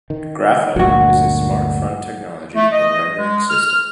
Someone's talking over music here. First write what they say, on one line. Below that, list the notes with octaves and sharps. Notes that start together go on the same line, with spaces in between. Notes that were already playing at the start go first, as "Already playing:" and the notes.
Graphite is a smart-font technology and rendering system.
D#3
G1 D2 A#2 F#3 F#4
A3
D#5
G#3
F6